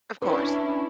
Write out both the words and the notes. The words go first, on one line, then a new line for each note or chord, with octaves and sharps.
Of course.
C#4 D4 E4 B4